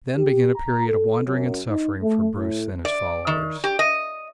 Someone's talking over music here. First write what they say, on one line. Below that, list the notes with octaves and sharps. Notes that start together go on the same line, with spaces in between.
Then began a period of wandering and suffering for Bruce and his followers.
G4
A#5
A4
F#2
D#4
A3
A2
D5
D#3
G4
D#5